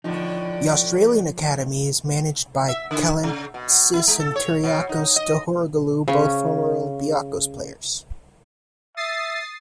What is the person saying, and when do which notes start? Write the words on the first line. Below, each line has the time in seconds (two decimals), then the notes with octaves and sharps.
The Australian academy is managed by Kalantzis and Kyriakos Tohouroglou, both former Olympiacos players.
0.04 E2 A2 D3 F3 D#4
2.69 E5
2.91 D3
3.24 C#3
3.54 B2
3.94 E4
4.08 G#3
4.20 A4
4.36 C#5
4.64 B2
4.89 D#4
5.16 D#5
6.08 C#3 C#4
8.97 E5 D#6 A6 C7